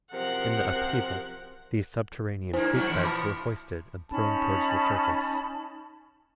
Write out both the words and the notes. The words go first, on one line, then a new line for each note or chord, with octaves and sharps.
In the upheaval these subterranean creek beds were hoisted and thrown towards the surface.
F#2 C3 F3 A#4 F#5
G2 A#3 E4 C5 G#5
F#3 A3 D4
A#2 E3 F3 C#7
A5 B5 D6
C#4 D#4 A5 B5